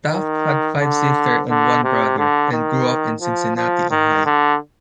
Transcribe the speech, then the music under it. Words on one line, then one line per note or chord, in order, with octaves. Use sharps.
Taft had five sisters and one brother and grew up in Cincinnati, Ohio.
D#3
D3
D3
C3
D3
D#3
F3
F3
D#3
D3